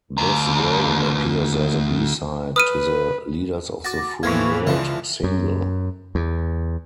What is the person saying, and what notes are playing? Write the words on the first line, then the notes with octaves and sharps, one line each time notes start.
This version appears as a B-side to the "Leaders of the Free World" single.
D2 A#5
B4 D#6 F6 D#7
F#4 D6 A6 A#6
A2 E3 F3 A#3 C#6 G#6
C#2 F3 D4 E5
F#2
E2